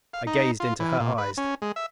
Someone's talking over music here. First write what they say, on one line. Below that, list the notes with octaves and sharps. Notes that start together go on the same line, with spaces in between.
I gazed into her eyes.
F5
D#4
F4
E3
A#2
B4
C#4
G#3
E5